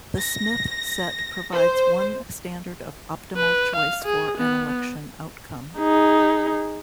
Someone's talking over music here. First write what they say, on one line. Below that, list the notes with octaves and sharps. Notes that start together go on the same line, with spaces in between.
The Smith set provides one standard of optimal choice for an election outcome.
A#6
C5
B4
F5
G#4
B3
D#4 G#4